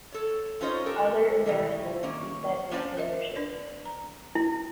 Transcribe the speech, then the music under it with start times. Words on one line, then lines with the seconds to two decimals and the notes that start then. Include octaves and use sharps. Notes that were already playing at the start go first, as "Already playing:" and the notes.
Other embarrassments beset his premiership.
0.12 A4 C#5
0.61 C#4 D#4 F4 C5 C#5 D#5
0.86 G4 A4 A#4
1.46 B2 D#3 E3
2.03 D#3 A#3 C#4
2.71 A#3 C#4 C5 D5 F5 A5
2.97 A#4 D#5 E5
3.35 D4 B4 D5
3.85 A#5
4.35 E4